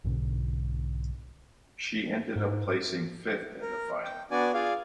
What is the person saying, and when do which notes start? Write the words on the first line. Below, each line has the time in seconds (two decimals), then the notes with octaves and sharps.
She ended up placing fifth in the final.
0.04 B1 G#2 B2 D3
2.36 G#2
3.61 A#4
4.04 G5
4.31 B3 D4 F#4 D5 G#5
4.54 F4 G#4 D5 F5